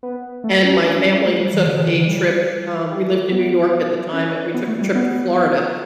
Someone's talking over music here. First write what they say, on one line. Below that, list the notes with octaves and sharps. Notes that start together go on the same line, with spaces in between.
and my family took a trip. Um, we lived in New York at the time and we took a trip to Florida,
B3
A3
C#4
D4
C#4
C#4
A3
G3
E3
D3
E3
D3
E3
G3
G3
A3
B3
C#4
C#4
B3
A3
G3
B3